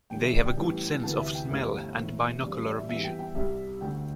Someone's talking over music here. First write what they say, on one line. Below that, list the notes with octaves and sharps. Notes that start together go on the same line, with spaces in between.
They have a good sense of smell and binocular vision.
E2 D3 G3 G5
E5
D5
G5
A1 A2 E3 G3
D2 C3 E3 A5
E5
G5
G1 G2 E3 A3 E5
E2 E3 A3
A1 G2 G3 D5
C5
D5
E5
E2 E3 G3 E5
G5
G5
C2 C3 G3 E5
D2 D3 A3 G5